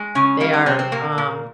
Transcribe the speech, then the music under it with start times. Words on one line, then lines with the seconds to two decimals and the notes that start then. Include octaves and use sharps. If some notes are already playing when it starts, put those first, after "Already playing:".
They are, um,
Already playing: G#3
0.15 C#3 C#4
0.40 G3 A#3
0.53 D#4
0.66 C3 C4
0.79 C4
0.92 A#2 A#3
1.18 A#2